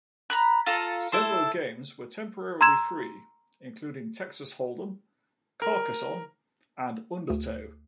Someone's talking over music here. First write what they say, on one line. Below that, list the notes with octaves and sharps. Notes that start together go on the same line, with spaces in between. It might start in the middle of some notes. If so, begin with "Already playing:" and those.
Several games were temporarily free, including "Texas Hold 'em", "Carcassonne", and "Undertow".
A#5 B5 F#6
F4 A4 A#5
E4 A4 C5
A#5 C6 E6 G#6 E7
A#4
D2